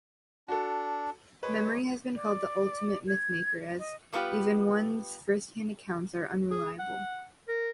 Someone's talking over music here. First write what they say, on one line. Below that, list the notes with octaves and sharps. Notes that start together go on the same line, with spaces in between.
Memory has been called the ultimate 'mythmaker'... as even one's firsthand accounts are unreliable.
D4 F#4 A4
G#3 B4 C#5
D5
G#6
D#5
G3 A3 B3 F4 G4 B4
G#4
F#5
A#4